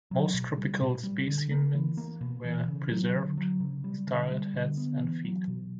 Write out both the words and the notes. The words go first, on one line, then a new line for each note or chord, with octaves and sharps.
Most tropical specimens were preserved as dried heads and feet.
F#3
B2
G3
A#2
G3
D3
A#3
E3
A#3
B2
E3
C#3
F#3
D3
F#3
C#3
G3
D3
G3
D3
B3
E3
F#3
B2